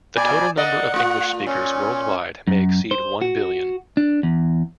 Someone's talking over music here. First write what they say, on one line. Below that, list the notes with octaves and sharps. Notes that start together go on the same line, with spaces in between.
The total number of English speakers worldwide may exceed one billion.
A#2 D5 G#5
A#3 D5 D#5 F#5
A3 F4
A#2 C#4
F#2
C5
F#4
D4
E2